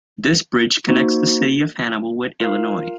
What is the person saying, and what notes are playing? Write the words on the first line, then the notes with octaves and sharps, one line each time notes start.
This bridge connects the city of Hannibal with Illinois.
A#3 D#4 F#4 C5
F4 A#4 F5